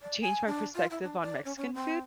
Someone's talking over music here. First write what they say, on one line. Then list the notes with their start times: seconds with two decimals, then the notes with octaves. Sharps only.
changed my perspective on Mexican food,
0.02 D5
0.22 G#5
0.47 D4
0.75 F4
0.91 E4
1.03 D4
1.21 D5
1.45 C#4
1.57 C#4
1.74 C4